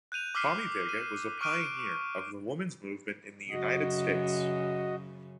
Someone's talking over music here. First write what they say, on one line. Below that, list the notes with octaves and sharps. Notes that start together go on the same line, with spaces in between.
Pommy Vega was a pioneer of the women's movement in the United States.
F#6 G6 D#7 F7
D6 E6 F6 B6 C7 D#7
D#7
C#6 D6 F6 F#6 D7 D#7
F#2 C#3 F#4 D#5